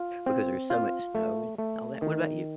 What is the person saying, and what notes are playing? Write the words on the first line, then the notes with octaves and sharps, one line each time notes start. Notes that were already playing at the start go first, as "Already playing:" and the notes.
because there's so much snow and all that, what about you?
Already playing: F4
C4
F4
A3
A3
D#3